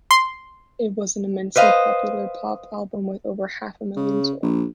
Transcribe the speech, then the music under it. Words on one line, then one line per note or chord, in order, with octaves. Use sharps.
It was an immensely popular pop album with over half a million sold.
C6
B4 C5 D#5 F5
C#3
A#1